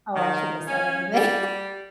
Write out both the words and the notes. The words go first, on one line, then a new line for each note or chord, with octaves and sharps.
Oh, I shouldn't have said anything.
D#3
C#4
G3